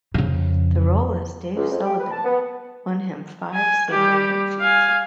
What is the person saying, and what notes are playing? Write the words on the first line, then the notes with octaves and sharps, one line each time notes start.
The role as Dave Sullivan won him five Silver Logies.
F2 C#3
C#2
F2
G4
B4
A5
B3
G#5
G3 G4
F5 G#5